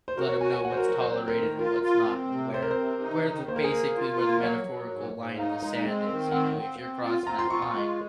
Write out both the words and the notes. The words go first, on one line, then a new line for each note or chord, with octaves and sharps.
Let 'em know what's tolerated and what's not and where where the basically where the metaphorical line in the sand is. You know? If you're crossing that line,
C5
F#4 A#4
C#5
F#4 G#5
G#5
F#4 F#5
C5
A#4
F#3 A#4
C5
C4 C5
A#4
D#3
A#4
F4 A#4
F4
C4
C3
C4 C5
A#4
C5
C3
D#4
D#3
A#3 C5
A#4
G#4
A#3 A#4
F4
A#3
F#3 C#5
F#3
G#2
G#2
D#4 F5
G#3
C4
D#3
C4 F#5
C4
C4
F4
C4 A#5
C6
F4 C#6
C#6
G#3